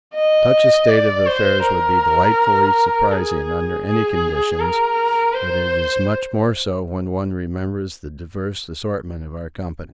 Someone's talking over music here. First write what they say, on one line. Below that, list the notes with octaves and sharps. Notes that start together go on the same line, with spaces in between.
Such a state of affairs would be delightfully surprising under any conditions, but it is much more so when one remembers the diverse assortment of our company.
D#5
D5
C5
A#4
G#4
G#4
A#4
C5